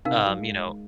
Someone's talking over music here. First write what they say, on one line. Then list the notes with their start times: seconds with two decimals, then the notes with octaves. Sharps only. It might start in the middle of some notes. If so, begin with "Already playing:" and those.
Um, you know.
0.05 C3 D#4 A#4 F5
0.27 F#3
0.39 G#3